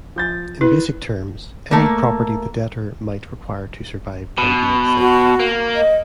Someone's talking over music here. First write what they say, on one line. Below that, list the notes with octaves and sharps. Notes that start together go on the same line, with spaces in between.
In basic terms, any property the debtor might require to survive can be exempt.
F3 G6 A6
E4 B4
A3 A#3
B2
F#4
A#3
D#5